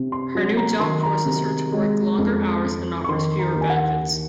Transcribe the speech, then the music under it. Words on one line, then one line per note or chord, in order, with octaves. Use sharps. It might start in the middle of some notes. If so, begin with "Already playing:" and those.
Her new job forces her to work longer hours and offers fewer benefits.
Already playing: C3
C6
F#3
A#5
D#3 C6
A#5
C3
G#3
F2
F2
C#6
D#3 C6
A#5
D#2
G#5
F#5
D#3